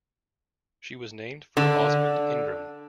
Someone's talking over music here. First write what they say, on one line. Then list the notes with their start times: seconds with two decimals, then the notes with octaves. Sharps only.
She was named for Osmond Ingram.
1.57 D3